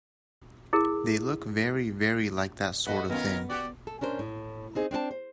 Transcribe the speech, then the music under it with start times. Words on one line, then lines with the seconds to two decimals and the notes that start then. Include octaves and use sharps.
They look very, very like that sort of thing.
0.73 E4 G#4 A#4
2.87 F#4 A4 B4 D#5 F#5
3.09 D#3 B3 C#4 F4 A#4
3.50 F#4 G4 D5
3.87 A4
4.01 C#4 D4 A#4 C5
4.19 A2
4.75 C4 D#4 G#4
4.91 C4 D4 E4 A5
5.11 C5